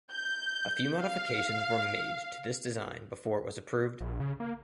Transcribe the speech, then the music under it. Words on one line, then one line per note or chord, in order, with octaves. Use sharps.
A few modifications were made to this design before it was approved.
G6
F5
A#1
C#3
A#3